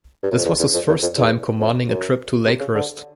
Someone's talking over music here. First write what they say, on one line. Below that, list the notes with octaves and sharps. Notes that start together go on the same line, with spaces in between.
This was his first time commanding a trip to Lakehurst.
G2
F#2
F2
E2
E2
F2
E2
F2
E2
F2
F#2
C3
C#3
D3